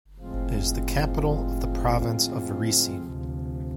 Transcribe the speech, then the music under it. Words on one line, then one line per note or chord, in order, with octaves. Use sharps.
It is the capital of the Province of Varese.
A2 F3 G#3 C4 F4
D2 C3 F3